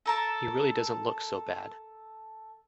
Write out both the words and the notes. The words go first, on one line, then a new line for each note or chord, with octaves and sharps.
He really doesn't look so bad.
A4 A#4 A5